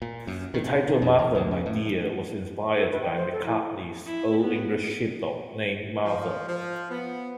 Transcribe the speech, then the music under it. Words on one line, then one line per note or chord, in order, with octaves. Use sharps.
The title "Martha My Dear" was inspired by McCartney's Old English Sheepdog, named Martha.
A#2
F#2
D#3
C3
D#3
F2
E2
D2
C#3
A2
A4
B4
G5
C5
A4
E4
E4
B3
F3
F3
B3